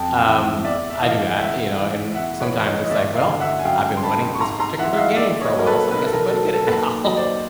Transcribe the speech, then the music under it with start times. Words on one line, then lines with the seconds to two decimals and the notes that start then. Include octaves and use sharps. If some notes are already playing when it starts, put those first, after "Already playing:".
Um. I do that, you know, and sometimes it's like, "Well, I've been wanting this particular game for a while so I guess I'm gonna get it now."
Already playing: F2 F#3 G5 A5
0.26 E3
0.64 E2 D5 E5
0.90 E5
1.02 E3 D#5 F5
1.39 C#2 E5 F#5
1.78 E3
2.14 E2 E5 F#5
2.40 B4 C#5
2.53 E3
2.65 C#5 D#5
2.84 D#5
2.90 G1 D5 E5
3.15 D#5 F5
3.28 D3
3.40 E5 F#5
3.59 G#5
3.65 F#2 F5 G5
3.97 C6
4.03 G#3 A5 B5
4.35 C#6
4.40 G#1 A#5 C6
4.60 A#5 C6
4.78 E3 E5 F#5
4.93 E5
4.97 D#5 F5
5.16 D#2 D5 E5
5.41 C#5 D#5
5.55 F#3 A#4
5.67 A4 B4
5.91 B1 B4
5.98 A#4
6.06 A4
6.13 A#4
6.29 F#3 A4
6.54 A4
6.67 D#2 A4 B4
7.05 F#3 D#5
7.17 C5 D5